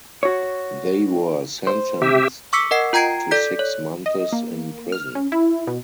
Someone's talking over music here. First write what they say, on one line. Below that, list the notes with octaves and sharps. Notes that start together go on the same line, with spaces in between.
They were sentenced to six months in prison.
F#4 C#5
C5
C3 G4 E5
C#6 D6 E6 B6 C#7
A#4 D#5 F#5 C7
F4 G5 A#5 G#6 C7 D7
A4 D5 G6 B6
C#5
D#5
A#3
F6
C#4
E4
B2